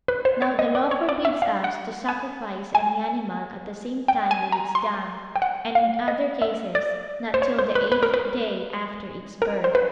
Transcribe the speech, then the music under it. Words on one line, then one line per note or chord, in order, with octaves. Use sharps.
Now the law forbids us to sacrifice any animal at the same time with its dam; and, in other cases, not till the eighth day after its birth.
B4
C5
C#5
D#5
D5
C#5
D5
E5
F5
F#5
G#5
G#5
G5
G#5
A#5
C6
G5
F#5
F5
D#5
E5
D5
C5
C#5
C5
B4
B4
A#4
B4
A#4
C5
B4